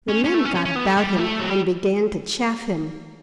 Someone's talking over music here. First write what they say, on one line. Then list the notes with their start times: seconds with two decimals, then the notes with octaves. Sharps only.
The men got about him, and began to chaff him.
0.09 C#4
0.25 C#4
0.34 A3
0.45 C#4
0.55 C#4
0.65 C#4
0.76 B3
0.86 A3
0.97 A3
1.01 G3
1.18 A3
1.39 F#3
1.49 G3